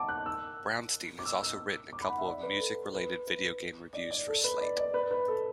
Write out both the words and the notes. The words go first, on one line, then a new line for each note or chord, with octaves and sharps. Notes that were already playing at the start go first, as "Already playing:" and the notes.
Brownstein has also written a couple of music-related video game reviews for "Slate".
Already playing: F#5 A5 D6
F#6
E6
D6
E6
E6
D6
B5
F#5
E5
D5
B4
A4
B4
B4
D5
D5
A4
B4
D5
D5
B4
B4
A4